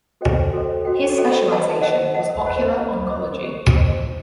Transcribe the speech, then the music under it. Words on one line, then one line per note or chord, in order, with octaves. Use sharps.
His specialization was ocular oncology.
F#4 A4 C5 D#5 G5
F#4 A4 C5 D#5 G5
F#4 A4 C5 D#5 G5
F#4 A4 C5 D#5 G5
C5 D#5 F#5 A5
C5 D#5 F#5 A5
C5 D#5 F#5 A5
C5 D#5 F#5 A5
G4 C5 D#5
G4 C5 D#5
G4 C5 D#5
G4 C5 D#5
D#4